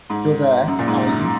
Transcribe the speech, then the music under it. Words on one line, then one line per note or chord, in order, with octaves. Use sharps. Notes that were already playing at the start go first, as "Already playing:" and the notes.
You're there, are you?
G#2
F#2
A#2
G#2
F#2